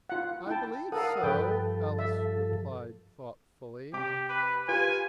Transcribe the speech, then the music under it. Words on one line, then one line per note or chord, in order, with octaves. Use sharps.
'I believe so,' Alice replied thoughtfully.
F4 F#5
E4 G5 A5
A4 A#4 F5 F#5 D#6
G2 F3 A4 B4 G5
E5
C3 G4 D6
B4
F4 G4 B4 G#5